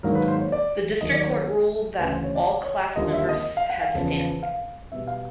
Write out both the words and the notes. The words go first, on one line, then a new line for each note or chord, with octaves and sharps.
The District Court ruled that all class members had standing.
G#2 D#3 F#3 A#3 D#4 A#4
B4
C5
C#5
D5
D#2 D#3 F#3 D#5
D5
C#5
C#5
G#4
A4
D2 C#3 E3 B4
C5
C#5
D5
D5
C#5
D#2 D3 G3 C4 F4 D#5
E5
D#5
F5
F#5
F5
E2 C#3 F3
F5
B2 G3 B3 E5
F5